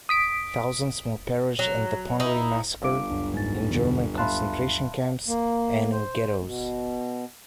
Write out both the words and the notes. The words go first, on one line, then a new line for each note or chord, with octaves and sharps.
Thousands more perished in the Ponary massacre, in German concentration camps, and in ghettos.
D#6 B6 D7
F#3
D#4 E4
G1 F5 D6 D7
C#2 F#2 D4
G#2 D#4 A6
E2 D3 B3
E5 F5 A5 B5 C6 F#6
A#3
C5
B2